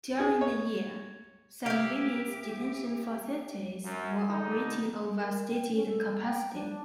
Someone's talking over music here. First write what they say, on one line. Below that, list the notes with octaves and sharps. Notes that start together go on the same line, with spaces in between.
During the year, some women's detention facilities were operating over stated capacity.
G#4
C#5
E4 G4 F5
F#2
D3 G3 D#4
A#4
G5
C#4
A4
G5
D4